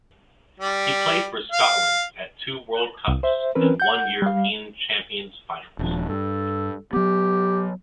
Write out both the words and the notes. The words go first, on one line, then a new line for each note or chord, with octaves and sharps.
He played for Scotland at two World Cups and one European Champions finals.
G3
F5
C2
C5 E5
E3 C4 C#4 A#4 B4
F#5 G6
G3 F5
D#1 F3 D4
G2 A4
F#3 B3 G4